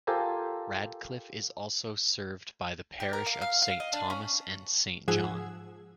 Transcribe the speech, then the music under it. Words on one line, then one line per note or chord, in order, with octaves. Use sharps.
Radcliffe is also served by the Parish of Saint Thomas and Saint John.
F4 G4 A4 A#4 C5 G#5
G4
A#4
F5
F5
F5
D#5
D4
C#4
G#2 F3 G#4 F#5 E6 G#6